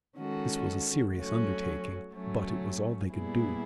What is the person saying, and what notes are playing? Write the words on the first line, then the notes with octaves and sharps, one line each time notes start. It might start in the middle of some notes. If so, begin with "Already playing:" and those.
This was a serious undertaking, but it was all they could do.
D#3 G#3 C#4 F#4 A4
F#3 A3 C#4 F#4
F#3 A3 C#4
A#2 G3 B3 E4 G#4